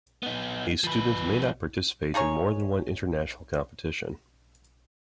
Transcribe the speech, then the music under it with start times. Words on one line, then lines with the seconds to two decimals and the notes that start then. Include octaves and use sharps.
A student may not participate in more than one international competition.
0.23 B3 D#4
0.84 F3 B4
2.14 D#4 G#4 A#4 C#5